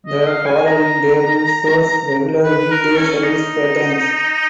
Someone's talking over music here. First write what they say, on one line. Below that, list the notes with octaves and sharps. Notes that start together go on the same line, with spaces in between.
The following table shows regular weekday service patterns.
D#5
F5
G#5
A#5
B4
A#4
C#4
D#4